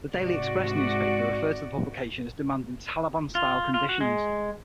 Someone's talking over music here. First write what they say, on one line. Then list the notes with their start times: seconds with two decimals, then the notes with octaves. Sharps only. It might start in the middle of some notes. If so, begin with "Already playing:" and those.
The "Daily Express" newspaper referred to the publication as demanding "Taleban-style" conditions.
0.12 G#2 C3 F#4 D5
3.35 F4
3.74 F4
3.89 F#4
4.01 G#3